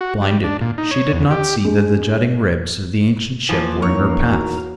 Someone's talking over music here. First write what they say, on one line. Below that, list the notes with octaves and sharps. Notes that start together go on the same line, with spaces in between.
Blinded, she did not see that the jutting ribs of the ancient ship were in her path.
F#4
G3
D4
A#2
D#4
C#5
E2
G4
G#3 D4
E2 E3 F3 A#3 D6
F3 C#4 D#4 A#4 C#5 A#5
F#4